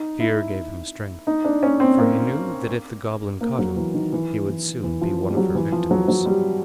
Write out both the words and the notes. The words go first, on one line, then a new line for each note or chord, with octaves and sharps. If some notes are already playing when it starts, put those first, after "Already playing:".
Fear gave him strength, for he knew that if the goblin caught him he would soon be one of her victims.
Already playing: D#4
E4
D#4
D4
C#4
C4
A#3
A#3
F#3
E3
D#3
E3
E3
E3
F3
G3
F#3
E3
F3
F#3
F#3
G3